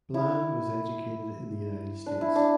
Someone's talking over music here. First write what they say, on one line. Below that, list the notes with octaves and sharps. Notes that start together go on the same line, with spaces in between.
Bland was educated in the United States.
E4
D4
E4
D4